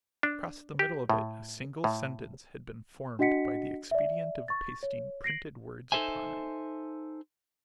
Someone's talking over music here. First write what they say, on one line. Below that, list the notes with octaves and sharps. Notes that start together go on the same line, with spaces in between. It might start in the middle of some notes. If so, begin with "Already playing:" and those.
Across the middle of it a single sentence had been formed by the expedient of pasting printed words upon it.
D4
G4
A2
A2
D4 F#4 D#5 F#5 B6 C#7
D5 E5
C#6 A6
C#5
A#6 C7 D7 F#7
D#4 G4 A4 C5 E5 G#5